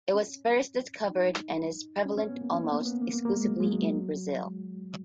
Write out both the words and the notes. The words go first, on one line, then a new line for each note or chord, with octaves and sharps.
It was first discovered and is prevalent almost exclusively in Brazil.
C#4
D#4
C#4
C#4
B3
A#3
C#4
B3
A#3
B3
A#3
B3
A#3
A#3
G#3
F#3
G#3
F#3
G#3